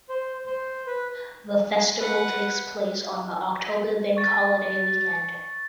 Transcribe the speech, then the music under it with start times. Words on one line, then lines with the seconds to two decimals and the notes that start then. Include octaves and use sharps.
The festival takes place on the October Bank Holiday weekend.
0.09 C5
0.45 C5
0.87 B4
1.99 B4 F#5
4.17 C#6 A6